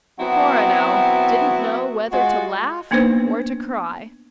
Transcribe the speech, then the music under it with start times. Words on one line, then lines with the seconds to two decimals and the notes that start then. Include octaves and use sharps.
Coronel didn't know whether to laugh or to cry.
0.19 F#3 B3 C4 E4 F#4
2.12 G#3 F4 F#4
2.91 A#3 B3 D4 D#4 B4 C5